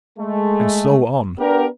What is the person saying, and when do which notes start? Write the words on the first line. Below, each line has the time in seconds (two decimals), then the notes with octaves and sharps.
And so on.
0.19 G#3 A3
1.39 B3 D4 G4 A#4